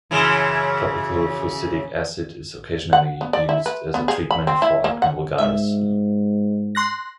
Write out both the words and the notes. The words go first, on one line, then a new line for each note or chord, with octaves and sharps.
Topical fusidic acid is occasionally used as a treatment for acne vulgaris.
F#2 C#3 E3
F#5
B3
D5
E4
B4
B3
G#4
B5
C4
E4
A#3
F#5
G#2 E5
C6 F#6 A#6